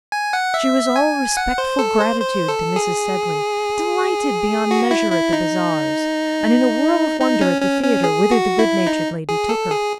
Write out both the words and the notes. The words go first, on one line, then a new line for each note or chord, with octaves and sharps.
She was all respectful gratitude to Mrs. Sedley; delighted beyond measure at the Bazaars; and in a whirl of wonder at the theatre, whither the good-natured lady took her.
G#5
F#5
E5
G#5
F#5
C5
A4
C5
C5
A4
G#4
F#4
E4
E4
D#4
D#4
C#4
C#4
C#4
G#4
F#4
E4
D#4
G#4
A4
G#4